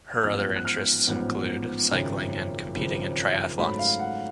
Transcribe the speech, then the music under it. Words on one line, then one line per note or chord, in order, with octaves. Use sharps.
Her other interests include cycling and competing in triathlons.
A1 G#2 F3 B3 F6
F#6
F6
A1 G#2 F3 B3
G#1 F#2 C#3 F3
G#1 F#2 C#3 F3
G#2 F#3 A3 C#4 B5
F5
F#5